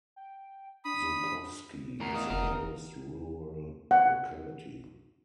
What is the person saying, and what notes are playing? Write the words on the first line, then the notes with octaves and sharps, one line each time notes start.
Zhukovsky is the nearest rural locality.
G5
D4 B5 D#6
E2 A2 A#4
D#4 F5 D#6
F1 A#4
D#1
F#5